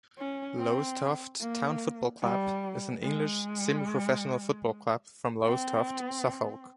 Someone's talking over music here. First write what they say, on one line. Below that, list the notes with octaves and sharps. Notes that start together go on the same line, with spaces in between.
Lowestoft Town Football Club is an English semi-professional football club from Lowestoft, Suffolk.
C#4
C4
A#3
G3
G#3
C4